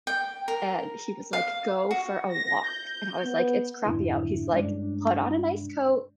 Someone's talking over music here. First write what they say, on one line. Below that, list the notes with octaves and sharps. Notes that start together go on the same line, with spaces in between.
and he was like, "Go for a walk." and I was like, "It's crappy out." he's like, "Put on a nice coat,
G5
A#4
F5
F#4
A#6
G6
B3
F2 G#2 D3 D4 E4
G2 G#3 C#4 D4 D5